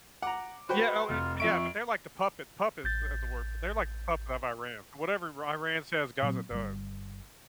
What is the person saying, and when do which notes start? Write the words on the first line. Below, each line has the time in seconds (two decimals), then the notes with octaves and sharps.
Yeah. Oh, it Yeah, but they're like the puppet puppets, is the word. But they're like the puppet of Iran. Whatever Ira Iran says, Gaza does.
0.22 F#5 A#5 D6
0.69 F#4 B4 C5 G5
1.09 F1 F4
1.40 F2 E5 C#6 D7
2.84 A1 G6 A6
6.22 A#2 F#3 C4
6.50 G1 G3